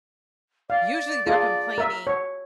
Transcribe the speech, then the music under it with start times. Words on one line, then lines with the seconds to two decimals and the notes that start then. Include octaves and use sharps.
Usually they're complaining
0.70 D5 F5
1.27 F4 G#4 A4
1.78 A#4 E5
2.07 C#5